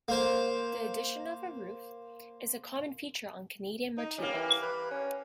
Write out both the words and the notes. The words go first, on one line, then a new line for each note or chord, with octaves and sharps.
The addition of a roof is a common feature on Canadian Martellos.
A#3 C5
D#4
G3 A#3 C#4
E3
B4
C#4